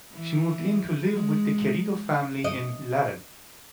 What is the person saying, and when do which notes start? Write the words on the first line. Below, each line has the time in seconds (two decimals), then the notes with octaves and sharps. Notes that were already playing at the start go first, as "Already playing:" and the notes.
She moved in to live with the Querido family in Laren.
0.11 E3
1.12 G#3
2.44 D#5